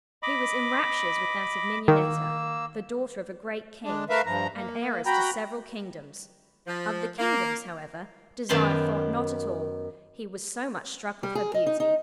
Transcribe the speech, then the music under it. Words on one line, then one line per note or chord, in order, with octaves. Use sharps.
He was in raptures with that of Mignonetta, the daughter of a great king, and heiress to several kingdoms; of the kingdoms, however, Desire thought not at all, he was so much struck with her beauty.
D#5 B5 D6
D#3 A#3 E6
G#3 D4
A3 A#4 B4 E5 F5
G2 F3 A#5
A#3
F#4 G5 A#5 B5
F3
A#3
F#2 D#3 B3 G4 A5 C6
G3
G#4
D#5
D#4
D#4